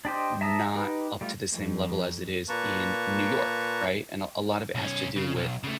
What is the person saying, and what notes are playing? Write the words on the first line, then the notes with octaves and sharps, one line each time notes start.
not up to the same level as it is in New York, right? And, uh, a lot of it has to do with,
D4 G4 C5 D#5
E5 A5 A#5 D#6 E6
D#4 G4 B4
G3 A3 F4
F2
A#2 A#3 B4 A5 A#5 C#6
B1 C#4
C#3
B1
C#3 A3